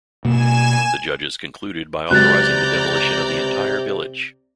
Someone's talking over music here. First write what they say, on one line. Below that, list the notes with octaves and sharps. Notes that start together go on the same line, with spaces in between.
The judges concluded by authorizing the demolition of the entire village.
B2 A#3 G#5 E7
C#2 C3 F#3 D5 A#5 F#6 G6 A6